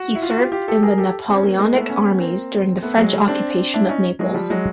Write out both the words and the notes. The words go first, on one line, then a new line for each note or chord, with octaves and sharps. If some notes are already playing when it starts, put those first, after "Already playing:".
He served in the Napoleonic armies during the French occupation of Naples.
Already playing: F#4
E4
F4
F#4
F4 G4
F4 G4
G4 A4
G#4 A#4
G4 A4
C4
C#4
A#3 C4
G#3 A#3
A3 B3
B3 C#4
A#3 C4
A3 B3
F#3 G#3
G3 A3
C4 D4
D4 E4
C#4 D#4
F#3 G#3
F3 G3
F#3 G#3